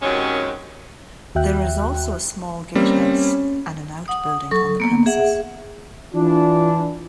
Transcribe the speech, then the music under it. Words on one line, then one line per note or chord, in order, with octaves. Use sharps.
There is also a small gatehouse and an outbuilding on the premises.
F#2 C3 D#3 F#3 G#3 C#4
D#2 F#4 E5 G5 F#6
G3 A#3 C4 C#4
F#5 D#6
F#3 A4 C#6
A#3 B3
G#4 E5 F#5
E3 D4 F4